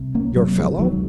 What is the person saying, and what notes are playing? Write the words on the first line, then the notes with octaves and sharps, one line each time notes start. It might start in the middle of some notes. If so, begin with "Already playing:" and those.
"Your fellow?"
Already playing: C2 C3
A#3 C#4
C3 F#3 A#3
F3 G#3
C#2 D#3 F#3